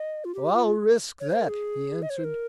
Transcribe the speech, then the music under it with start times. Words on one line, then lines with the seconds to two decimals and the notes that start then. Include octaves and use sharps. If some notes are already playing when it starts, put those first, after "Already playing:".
"I'll risk that," he answered.
Already playing: D#5
0.25 F4
0.35 G4
0.53 F4
1.20 C#5
1.30 C5
1.39 A#4
1.49 G#4
2.02 D#5
2.10 C#5
2.17 C5
2.24 A#4